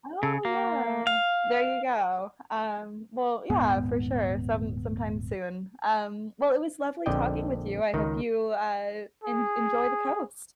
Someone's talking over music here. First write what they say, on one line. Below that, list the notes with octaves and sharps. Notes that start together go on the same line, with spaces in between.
Oh, yeah. There you go. Um, well, yeah, for sure. Some sometime soon. Um, well, it was lovely talking with you, I hope you, uh, en enjoy the coast.
C#3
A#3
F5
D#1 G#2 B3
A#1 F2 D3 D5 D#5 G5
C#2 D#3 D#4
G#4